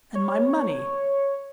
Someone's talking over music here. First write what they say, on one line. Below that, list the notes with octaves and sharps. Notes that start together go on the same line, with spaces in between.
And my money!
C#5